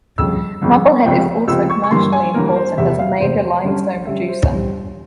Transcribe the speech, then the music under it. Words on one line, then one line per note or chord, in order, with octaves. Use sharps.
Marblehead is also commercially important as a major limestone producer.
G1 F2 C#3 E6
G1 F2 C#3
C#2 C3 F3 C4
C#2 C3 F3 C4 E6
C#6
C#6
G1 G2 E3 A#3 C6
G#5
G1 G2 E3 A#3 A#4
C5
F1 E2 C3 E5
F5
F1 E2 C3 C5
G1 G2 G3 C#4
G1 G2 G3 C#4 E5
C5
C#5
G1 G2 E3 G3 C5